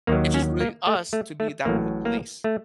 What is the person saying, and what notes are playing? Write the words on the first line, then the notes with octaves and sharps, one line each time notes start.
It's just really us to be that world police.
D#2 D#3 F#3 A#3
C#4
A#3
A3
A3
A3
A1 A2 F#3 A#3
A#3
A3